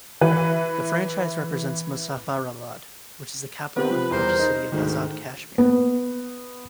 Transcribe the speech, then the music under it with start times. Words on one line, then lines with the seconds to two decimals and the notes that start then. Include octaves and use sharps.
The franchise represents Muzaffarabad which is capital and largest city of Azad Kashmir.
0.21 E3 B4
3.77 B3 C4 G4 B4
3.90 F3
4.11 E2 G3 A#4 C5
4.39 D#4
4.72 D2 G#2 D#3
5.58 B3